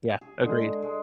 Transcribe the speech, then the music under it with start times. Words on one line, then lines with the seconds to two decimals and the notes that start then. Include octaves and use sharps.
Yeah. Agreed.
0.21 G#4
0.41 D3 G#3
0.82 G#3